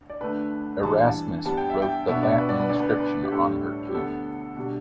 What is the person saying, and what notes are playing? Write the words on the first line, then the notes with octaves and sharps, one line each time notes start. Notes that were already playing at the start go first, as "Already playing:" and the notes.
Erasmus wrote the Latin inscription on her tomb.
D5
D2 D3 A3 D4 B4
G2 E3 G3 D4 A5
A5
G2 G3 B3 D4 A5
G5
E5
G5
B2 B3 D4 E5
D5
B4
D5
B4
D2 D3 B3 D4 D5
B4
D5
B4
G4
A2 G3 D4 A4
G4
D2 D3 B3 A4
B2 G3 D4